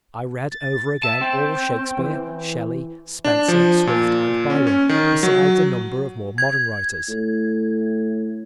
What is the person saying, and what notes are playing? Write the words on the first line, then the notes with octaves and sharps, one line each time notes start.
I read over again all Shakespeare, Shelley, Spenser, Swift and Byron, besides a number of more modern writers.
A6
E5 A5
C4 G5
E3
D4
F3
A#2
C#4
C#4
D#3
F#3
G#6
A2